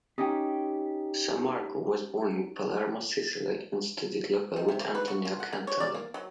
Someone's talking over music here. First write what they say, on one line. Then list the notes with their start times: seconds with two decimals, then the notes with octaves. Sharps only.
Sammarco was born in Palermo, Sicily, and studied locally with Antonio Cantelli.
0.18 C#4 D#4 G4 G5
4.56 D#3
4.68 C3
4.81 A#3
4.95 B4
5.08 F#4
5.25 F4
5.40 F#5
5.53 A#3
5.67 C#5
5.80 D5
5.94 A#3
6.14 F#3